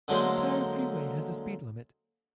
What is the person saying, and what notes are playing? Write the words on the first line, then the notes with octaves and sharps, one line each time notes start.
The entire freeway has a speed limit.
D3 F#3 G#3 A#3 C5